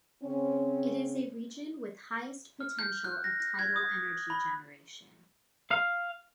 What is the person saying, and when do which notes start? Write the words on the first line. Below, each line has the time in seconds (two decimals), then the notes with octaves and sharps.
It is a region with highest potential of tidal energy generation.
0.23 C#3 C4 C#4
2.60 F6
2.79 G6
3.04 F#6
3.24 A#6
3.40 A#6
3.59 G#6
3.76 D#6
3.89 B6
4.30 B5
5.71 F5